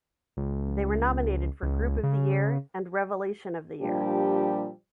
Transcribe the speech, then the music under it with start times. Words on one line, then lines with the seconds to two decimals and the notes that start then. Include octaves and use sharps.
They were nominated for Group of the year, and Revelation of the year.
0.37 C#2
1.62 C#2
2.03 C#3
3.81 A#2 F3 G3 D4 G4